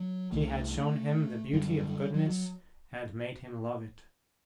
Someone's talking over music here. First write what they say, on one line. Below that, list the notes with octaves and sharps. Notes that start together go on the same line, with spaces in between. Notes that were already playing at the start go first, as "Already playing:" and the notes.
She had shown him the beauty of goodness and made him love it.
Already playing: F#3
C2 C3 A3
F#2 D3 G3
F#3
F#3